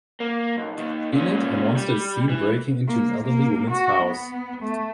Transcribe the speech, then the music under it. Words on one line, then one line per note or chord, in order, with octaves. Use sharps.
In it, a monster is seen breaking into an elderly woman's house.
A#3
B1
D#2 D#3
A#2 C#4
G3
E3
A#3
A#3
F#4
B3
A3